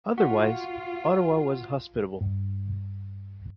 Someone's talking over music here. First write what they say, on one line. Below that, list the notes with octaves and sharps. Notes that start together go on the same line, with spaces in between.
Otherwise, Ottawa was hospitable.
F4 F#4 F#5
G2